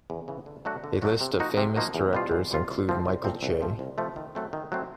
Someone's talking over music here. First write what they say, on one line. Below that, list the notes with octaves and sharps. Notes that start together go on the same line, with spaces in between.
A list of famous directors includes Michael J.
E2
C#3 E3
D3
F#3 A3 D4 F#4
D3
F#3 A3 D4 F#4
C3
F3 A#3 D#4 F#4
C3
F3 A#3 D#4 F#4
E2
B2 G3 C4 F4
E2
B2 G3 C4 F4
C2
A#2 F3 A3 C4
C2
A#2 F3 A3 C4
C2
C3 F3 A3
C2
C3 F3 A3
D#3
F#3 A3 C4
D#3
F#3 A3 C4